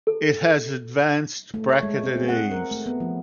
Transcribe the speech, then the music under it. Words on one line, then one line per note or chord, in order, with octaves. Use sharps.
It has advanced bracketed eaves.
A4
A3
C#5
G#3
C4
G#4
F#5
A#4
A3
B3
F3